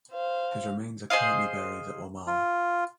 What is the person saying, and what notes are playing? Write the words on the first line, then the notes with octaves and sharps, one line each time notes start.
His remains are currently buried at Wamala.
C5 F5
G#4 C5 D#5 F5
F4